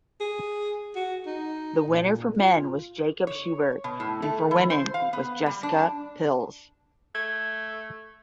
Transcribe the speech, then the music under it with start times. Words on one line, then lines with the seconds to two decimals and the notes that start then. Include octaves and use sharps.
The winner for men was Jakob Schubert and for women was Jessica Pilz.
0.21 G#4
0.96 F#4
1.27 D#4
1.88 A#2
2.37 F4
3.27 C#5
3.84 B2
4.00 A2
4.22 A3
4.51 E3
4.70 C5
4.94 F5
5.13 B3
5.46 G3
5.63 D4
7.15 A3 G#6